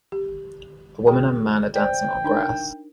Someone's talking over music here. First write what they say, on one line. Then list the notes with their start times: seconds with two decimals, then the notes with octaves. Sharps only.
A woman and man are dancing on grass.
0.12 G4
1.07 F#4 G#4 G5
1.76 C5 D5 G5
2.24 D4 D#4 A#4